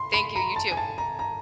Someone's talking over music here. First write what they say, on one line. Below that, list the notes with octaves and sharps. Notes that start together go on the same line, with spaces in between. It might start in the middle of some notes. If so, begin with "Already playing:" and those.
Thank you. You too.
Already playing: B5 C6
B5
A#5
A5
G#5
A5
A#5
A#5